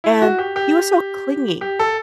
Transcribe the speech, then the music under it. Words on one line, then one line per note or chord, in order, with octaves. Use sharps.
and he was so clingy.
E4
F#4
G4
G4
G4
A4